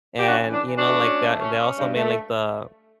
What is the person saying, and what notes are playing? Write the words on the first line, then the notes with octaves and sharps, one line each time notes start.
And you know, like that they also made like the
G4
C#4 D4 F#4
E3
D4
E3
D4 F#4
A3
C#4
A3
C#4
C#4
G2
A3